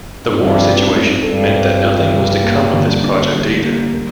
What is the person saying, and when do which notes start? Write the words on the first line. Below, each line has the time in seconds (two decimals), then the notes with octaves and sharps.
The war situation meant that nothing was to come of this project either.
0.22 G#2
0.32 G2 C4
0.62 F4
0.78 G#2
0.88 A2 G#3
1.00 G#2
1.15 G#2
1.23 G2 A4
1.53 C4
1.83 F4
2.14 G3
2.43 A#3
2.73 D3
3.04 D4
3.34 G3
3.64 A#3
3.94 A#3